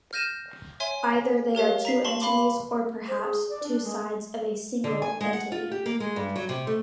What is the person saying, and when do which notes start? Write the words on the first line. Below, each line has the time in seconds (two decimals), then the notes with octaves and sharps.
Either they are two entities, or perhaps, two sides of a single entity.
0.13 F6 G6 A#6 D#7 E7
0.80 C#5 E5 G#5 C6
1.55 G4 A#4 C#5 F5
1.85 A#5 B6 C7
2.04 A5 C6 C#6 F#7
2.21 F5 B5 C6 D6
3.08 C5
3.20 G#4
3.49 D5
3.63 D4
3.83 G#3
4.84 D3
5.02 G#5
5.21 G#3
5.33 F#5
5.52 F4
5.71 G4
5.86 A#3
6.00 G#3
6.16 G2
6.36 F#3
6.49 C3
6.67 A3